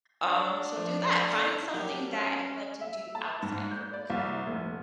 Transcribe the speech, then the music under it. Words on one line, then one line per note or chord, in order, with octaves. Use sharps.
Um, so do that. Find something that you like to do outside of work.
D4
F3
A4 F5 D#6
F#3 A#3 D4 G4
C#4
E5
A5
G#2
G6
D5
C2
F1